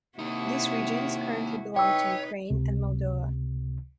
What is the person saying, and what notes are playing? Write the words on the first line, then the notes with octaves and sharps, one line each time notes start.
These regions currently belong to Ukraine and Moldova.
C3 A#3 D#4 E4 F#4
D#4 B4 C#5 D#5 G5 E6
C#2 C3